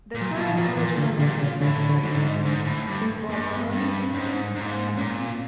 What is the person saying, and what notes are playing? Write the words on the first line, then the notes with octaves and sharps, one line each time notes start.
The current original members are straight edge; Bob Mahoney and Stu are not.
A#2
F#3
B2
F3
A#2
A#2 E3
D3
A#2 D3
C#3
A2 D3
D3
G#2
D3
G#2 D3
A2
G2
A3
G2 A#3
B3
G2
C4
G#2 C#4
G#2
A#2 C#4
C4